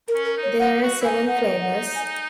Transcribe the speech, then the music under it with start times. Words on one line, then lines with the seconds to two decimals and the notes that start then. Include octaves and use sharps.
There are seven flavours.
0.08 A#4
0.14 C#4
0.25 A#4
0.37 D#4
0.43 C#5
0.59 D#4 F#5
0.83 F#4
1.01 E4
1.04 D#4 G#5
1.27 D#4 F#5
1.61 F#5
1.95 G#5